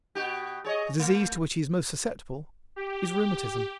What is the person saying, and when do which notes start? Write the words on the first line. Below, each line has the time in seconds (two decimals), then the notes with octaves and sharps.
The disease to which he is most susceptible is rheumatism.
0.15 B2 F#4 G4
0.65 G#4 C#5 D#5
1.00 A3
2.76 G4